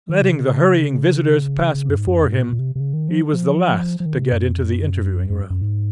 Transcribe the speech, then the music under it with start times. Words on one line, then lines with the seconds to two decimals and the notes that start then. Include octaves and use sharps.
Letting the hurrying visitors pass before him, he was the last to get into the interviewing-room.
0.09 D#3
0.21 C3
0.30 C#3
1.89 F#2
1.97 G#2
2.07 F#2
2.18 F2
2.28 G#2
2.38 A#2
2.53 A#2
2.59 C3
2.75 C3
2.80 C#3
2.94 D#3
3.09 F3
3.33 F3
4.00 F3
4.06 D#3
4.19 C3
4.32 F#2
4.47 F2
4.67 F#2
5.30 F#2
5.50 F#2
5.61 G#2